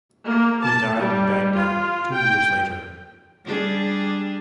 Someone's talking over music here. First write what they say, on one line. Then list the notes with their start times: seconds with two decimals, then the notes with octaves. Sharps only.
He died in Baghdad two years later.
0.24 A#3
0.62 A5
0.99 G3
1.55 F4
2.13 G5
3.45 G3 D4 G#4